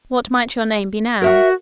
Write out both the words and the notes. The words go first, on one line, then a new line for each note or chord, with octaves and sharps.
"What might your name be, now?"
F#4 A#4 E5 F#5